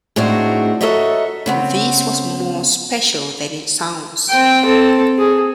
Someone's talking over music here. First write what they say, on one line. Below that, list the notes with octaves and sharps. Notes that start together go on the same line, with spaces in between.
This was more special than it sounds.
A2 G#3 C4 D4 D#4 F#4
F#4 A4 A#4 C#5 D#5 E5
C#3 B3 C4
C4 G5
C4 A4
G#4